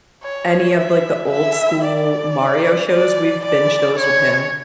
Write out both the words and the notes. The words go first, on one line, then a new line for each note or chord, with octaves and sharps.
any of, like, the old school Mario shows, we've binged those with him.
C#5
E5
E5
D5
D5
D5
C#5